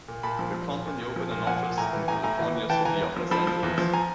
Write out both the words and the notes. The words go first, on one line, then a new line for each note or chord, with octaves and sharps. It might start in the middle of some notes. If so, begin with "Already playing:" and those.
The company opened an office in the California city of Los Angeles.
A#2
A#2 A5 B5
F3
F3
A#2
A#2
A#2
F3
A#2
F3 F#5 G#5
A#2
A2 G#5 A#5
E3
A2 G#5 A#5
A2 G#5 A#5
E3
E3
E3 G5 A5
E3 G#5 A#5
E2
F3
F3 A5 B5
F3
E2
F3
G#5 A#5